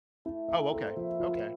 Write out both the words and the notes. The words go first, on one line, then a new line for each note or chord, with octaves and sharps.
Oh, okay, okay.
A3 E4
A#3 E5
C4 A4
F3 E4
F4